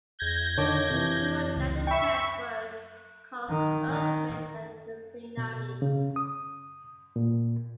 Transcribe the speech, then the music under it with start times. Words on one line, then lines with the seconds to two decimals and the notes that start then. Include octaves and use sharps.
He wrote that the test would cause earthquakes and a tsunami.
0.19 G6 G#6 A#6
0.58 D3 D#3 C#5 A5 D6
0.90 C3 E3
1.57 C#2
1.87 E5 G5 B5 C#6
3.49 D#3
3.89 D#3
5.37 B2
5.82 C#3
6.16 D#6
7.16 A#2